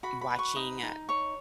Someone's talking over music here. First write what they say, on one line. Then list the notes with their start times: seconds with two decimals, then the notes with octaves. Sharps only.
watching, uh,
0.03 F#4 B5
0.21 B5
0.30 B4
0.39 C#6
0.56 D#4 D#6
0.83 D#4
1.09 C#5 C#6